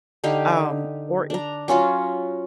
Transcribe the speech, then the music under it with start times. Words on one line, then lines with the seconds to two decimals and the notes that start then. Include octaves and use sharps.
um, or
0.24 D3 D#4 G4 F5
1.30 D4 A#5
1.68 F#3 C#4 F4 F#4